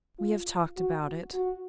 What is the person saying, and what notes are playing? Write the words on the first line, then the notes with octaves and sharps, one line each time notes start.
We have talked about it.'
F4
F#4
F#4